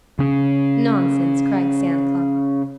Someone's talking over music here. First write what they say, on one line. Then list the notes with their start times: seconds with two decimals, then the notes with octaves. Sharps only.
"Nonsense!" cried Santa Claus.
0.19 C#3 C#4